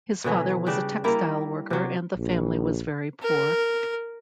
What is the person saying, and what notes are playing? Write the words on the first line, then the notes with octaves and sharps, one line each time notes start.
His father was a textile worker and the family was very poor.
B2 D3 E3 F#3
C#3 G3 D4
G3 A#3 E4 A#4
C3 F#3
A#1
A#4